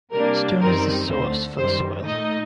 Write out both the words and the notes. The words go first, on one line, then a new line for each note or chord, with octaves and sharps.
Stone is the source for the soil.
C3 G3 A#3 D4 A#4
F#2 D#3 G3 C4 D#4 A#4
D2 D3 A3 C5
F#2 D#3 G3 C5
A#2 A3 D#4 D#5